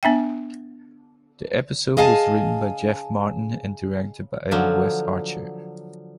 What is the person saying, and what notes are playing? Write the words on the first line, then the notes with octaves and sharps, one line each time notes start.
The episode was written by Jeff Martin and directed by Wes Archer.
B3 D4 E5 G5
G#4 D#5 F5 G#5 A5
D3 F3 F#3